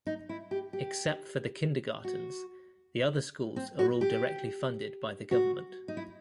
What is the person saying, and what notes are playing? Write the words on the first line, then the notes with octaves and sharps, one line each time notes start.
Except for the kindergartens, the other schools are all directly funded by the government.
D#4
E4
G4
G4
F#4
C4
F#4
G4
F#4
D#4
E4